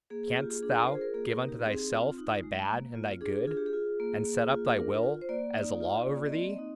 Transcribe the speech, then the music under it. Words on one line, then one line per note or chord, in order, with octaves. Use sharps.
Canst thou give unto thyself thy bad and thy good, and set up thy will as a law over thee?
A#3 G#4
G#4
F4 G4
G#4
D4 G#4
A#4
F4 C5
G#4
A#4
A#3 G#4
A#4
D#4
G4
G4
C4 G#4
F4
D#4
G#3
A#3
F4
D4 G#4
F4 G#4
G4
G#4
F4
A#3
A#3
F4
D4 A#4
F4
C5
A#3 D5
D#4
F4
A#3
D#5
C4 D5
D#5
D#4